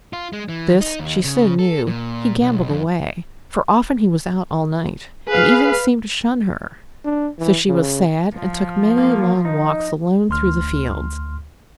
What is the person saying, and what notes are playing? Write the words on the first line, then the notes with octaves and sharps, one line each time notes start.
This, she soon knew, he gambled away, for often he was out all night, and even seemed to shun her; so she was sad and took many long walks alone through the fields.
F4
G#3
E3
D#4
D#2
C#3
A4
A#2
B1
F2
G#4 B4 F5
D4
E3
C#3
F3
A#3
D#4
D2 C6 F6